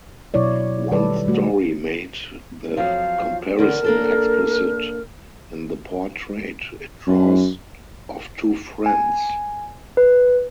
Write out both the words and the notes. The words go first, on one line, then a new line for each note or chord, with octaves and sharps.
One story made the comparison explicit in the portrait it draws of two friends.
B2 F#3 E4 C#5 D5
D#3 G3 A4 B4 D5
G3 A3 F#4
F2 F3 F#3 F5
E2 D3 A#4 D5
A#3 D4 A4
F#2
G#5
B4